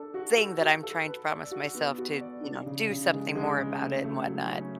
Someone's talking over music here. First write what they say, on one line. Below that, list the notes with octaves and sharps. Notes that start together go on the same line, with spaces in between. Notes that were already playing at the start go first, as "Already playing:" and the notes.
thing that I'm trying to promise myself to, you know, do something more about it and whatnot.
Already playing: D4 A4
F#4
A4
F#4
A4
B4
D5
F#4
B3
F#4
D5
D4
C#3
C#3
G#3
G#3
C#3
A3
A3
F#3
C#4